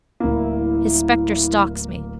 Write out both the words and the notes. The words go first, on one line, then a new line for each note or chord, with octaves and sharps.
His spectre stalks me.
D1 A#3 E4